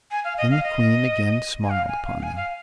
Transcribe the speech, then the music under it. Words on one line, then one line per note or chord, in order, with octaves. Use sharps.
Then the Queen again smiled upon them.
G#5
F5
D#5
F5
D#5
G#5
F5
G#5
F5
F5
G#5
F5